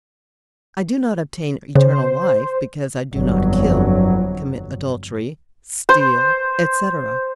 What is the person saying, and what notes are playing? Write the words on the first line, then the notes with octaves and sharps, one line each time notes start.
I do not obtain eternal life because I do not kill, commit adultery, steal, etc.
C#3 C5
G1 F2 F#3
C5